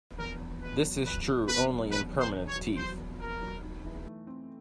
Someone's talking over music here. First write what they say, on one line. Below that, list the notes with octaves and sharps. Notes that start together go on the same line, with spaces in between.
This is true only in permanent teeth.
E2 A#4
E2
B2 B4
F#3
E2 B4
E2
B2 B4
F#3
E2 B4
E2
C5
B2
C#5
F#3
E2 C5
E2
B2 A#4
F#3
D#4
E3
A3
C4